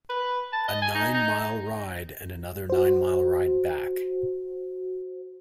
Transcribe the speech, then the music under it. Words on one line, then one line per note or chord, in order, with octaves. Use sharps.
A nine-mile ride, and another nine-mile ride back.
B4
A5
D#5
G#5
D#4
D#4
F#4 C5